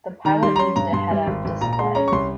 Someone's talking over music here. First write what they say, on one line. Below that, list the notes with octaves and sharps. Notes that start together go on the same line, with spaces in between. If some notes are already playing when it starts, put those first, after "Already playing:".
The pilot used a head-up display.
D#3 A#5
G3 C6
A#5
C#4 C6
G2 A#5
G2 C6
G3
G#1
G#1
A#2 A#5
A#5
G#3 C6
C#4 A#5
C#6
C2 C6